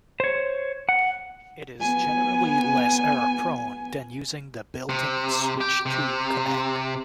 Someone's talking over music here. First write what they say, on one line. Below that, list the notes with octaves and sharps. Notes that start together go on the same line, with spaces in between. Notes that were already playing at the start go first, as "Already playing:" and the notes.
It is generally less error-prone than using the built-in "switch to" command.
C5 C#5
F#5
B3 G#5
C3
G4
C3